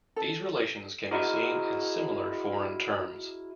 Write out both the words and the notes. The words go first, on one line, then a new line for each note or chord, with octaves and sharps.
These relations can be seen in similar foreign terms.
A4
E4 F#4 G#4 A#4 C5 D#5